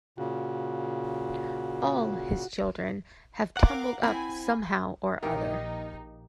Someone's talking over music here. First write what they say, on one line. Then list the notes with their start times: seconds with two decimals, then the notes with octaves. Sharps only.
All his children have tumbled up somehow or other.
0.18 A#2 C#3 F#4
3.57 A#4 F5 F#5 D6
4.03 C4 E4 G#5 B5
5.23 A#1 D#3 D#4 G4 A#4 D#5 F5